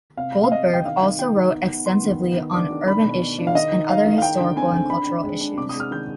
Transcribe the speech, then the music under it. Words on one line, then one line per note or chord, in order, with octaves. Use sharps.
Goldberg also wrote extensively on urban issues and other historical and cultural issues.
C3 F5
C3
F5
C3 D#5
C3 G5
D#3 F5
D#3
D#3 G5
D#4
B3
B3
B3 C6
D#3
B3
D#3
D4 D6
D#3
D4 B5
B2
B2
D4
F5
D#3 D#5
D#4
D#4 F5
D#3
F5
D#4 G5
D3
C4 G#5
D3
D3 B5
D4
G#3
D4
C3 D6
D#6
G#3
F6
D#3 G6